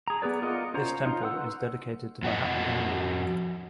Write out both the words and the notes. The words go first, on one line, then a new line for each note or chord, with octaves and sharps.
This temple is dedicated to Mahatma Gandhi.
G#4 A#5
B3 G#4 B4 D5
F4 A#4 D5 D#5 F#5
C#4 F4 C5 C#5 A#5
D#4 F4
B4 F#5 C6 E6
F2 F#4 D#5